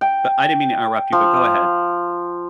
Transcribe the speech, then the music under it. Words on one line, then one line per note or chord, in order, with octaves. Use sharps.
but I didn't mean to interrupt you but go ahead.
G5
F3